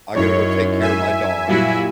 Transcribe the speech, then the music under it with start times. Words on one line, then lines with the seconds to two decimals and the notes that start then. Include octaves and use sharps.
I gotta go take care of my dog
0.15 F#2 C#4 D#4 E4 C#5
0.81 E5 G#5
1.48 A#2 F#3 G3 E4 F#4